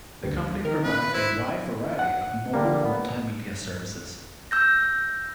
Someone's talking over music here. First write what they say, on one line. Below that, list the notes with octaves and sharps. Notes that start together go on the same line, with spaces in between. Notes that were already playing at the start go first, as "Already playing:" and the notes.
The company provides a wide variety of mobile multimedia services.
D2 G2
D#3 A#4
C#3 B4
E4 C5
F#5
D3 G3 A#3
B3
E6 G6 A#6